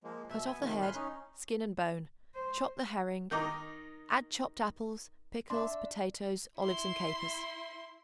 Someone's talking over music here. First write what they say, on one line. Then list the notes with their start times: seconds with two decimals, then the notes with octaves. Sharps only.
Cut off the head, skin and bone; chop the herring; add chopped apples, pickles, potatoes, olives and capers.
0.04 F3 G#3 A#3
0.30 B2 E5
0.47 B3 G#5
0.60 C3 D#3 F3 F#3 G#3
0.82 A2 G#5 B5 C6 F6 F#6
0.95 C#4 D#4
2.35 C5
3.31 D#3 D#4 A#5 D6 G6
5.50 D4 E5 C6
6.59 E4 C6